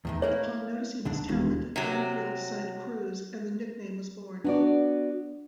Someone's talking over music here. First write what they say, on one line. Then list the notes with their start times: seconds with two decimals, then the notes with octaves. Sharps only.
Upon noticing his talent, Banfield signed Cruz, and the nickname was born.
0.05 E2 A2 D#3
0.22 A3 A#3 E4 C#5
1.05 D#2 D3 D4
1.29 E1 D#2
1.76 C3 F#3
4.44 B3 D4 F#4 D5